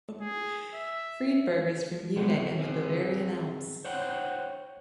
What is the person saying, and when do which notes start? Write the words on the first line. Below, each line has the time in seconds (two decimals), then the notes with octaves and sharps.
Friedberg is from Munich and the Bavarian Alps.
0.21 G#4
0.74 E5
2.16 B1 F#3 G3 B3 C4
2.59 C4 G#4
3.85 C5 C#5 F#5 G5